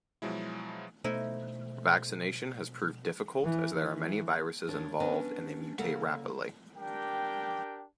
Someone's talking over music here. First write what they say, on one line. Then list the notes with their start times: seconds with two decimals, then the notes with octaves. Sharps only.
Vaccination has proved difficult as there are many viruses involved and they mutate rapidly.
0.22 B2 F3 F#3 G#3 E4
1.04 B2 A3 D#4 E4 C5
3.44 E3
3.74 E3
4.67 D#2 D4 C#5
5.00 B3 C#4 D4 B4 D#5
5.78 C#3 A#3 A4 F#5
6.77 D4 G4 A#4 G5